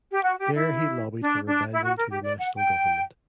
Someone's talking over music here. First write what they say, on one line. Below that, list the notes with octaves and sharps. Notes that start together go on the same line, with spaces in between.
There he lobbied for rebellion to the National Government.
G4
F#4
G4
E4
D4
D4
E4
F#4
A#4
G4
D5
F#5
G5